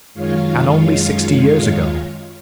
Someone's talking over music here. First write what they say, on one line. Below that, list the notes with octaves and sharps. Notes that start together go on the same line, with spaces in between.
And only sixty years ago!
F#2 D#3 G#3 F4 C#5 F5